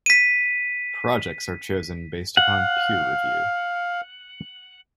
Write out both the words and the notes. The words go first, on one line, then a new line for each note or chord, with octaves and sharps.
Projects are chosen based upon peer review.
B6 D#7
F5 F#5